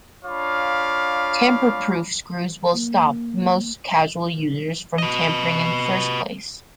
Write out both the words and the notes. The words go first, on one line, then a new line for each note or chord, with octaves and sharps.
Tamper proof screws will stop most casual users from tampering in the first place.
D4 F4 C#5 F5 B5 D6
A#3
B4 D#5